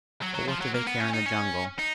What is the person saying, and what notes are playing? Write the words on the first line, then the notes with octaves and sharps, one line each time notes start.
But what do they care in the Jungle?
F#3
F#3
F3
F#3
A#3
B3
C#4
D#4
C#4
D#4